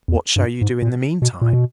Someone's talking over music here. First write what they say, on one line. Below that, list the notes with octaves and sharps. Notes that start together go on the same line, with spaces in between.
'What shall you do in the meantime?'
E2
G2
G#2
A#2
B2
A#2
B2